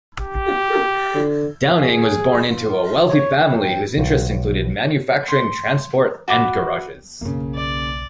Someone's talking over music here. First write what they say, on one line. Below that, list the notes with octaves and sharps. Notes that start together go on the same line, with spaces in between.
Downing was born into a wealthy family, whose interests included manufacturing, transport and garages.
G4
D3
G#4
F4
C#5
G5
B1
C6
F#4 B5 D6
F#1 B1 C#3 A#3
D5